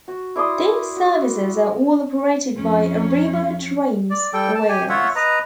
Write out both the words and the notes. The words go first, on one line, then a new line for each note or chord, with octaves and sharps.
These services are all operated by Arriva Trains Wales.
F#4
E4 D5 C6 D#6
F#4
F2 C#4
D5
G3 A4 G5
A5
G4 G#5
F4 C#5 E5 F#5
B4 D#5 A#5